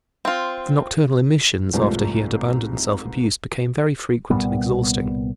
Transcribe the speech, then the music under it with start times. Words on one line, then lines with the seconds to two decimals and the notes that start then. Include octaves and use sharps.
The nocturnal emissions, after he had abandoned self-abuse, became very frequent and exhausting.
0.25 C4 F4
1.73 C2 G#2 F3 G3 A3 B3
4.30 C2 A#2 G3 B3